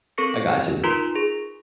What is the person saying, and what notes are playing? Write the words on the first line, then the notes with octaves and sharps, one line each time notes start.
I gotchu."
C4 A4 A#4 C#6 A#6 C#7
D#4 F4 A#4 B4 A#5 C6
G#4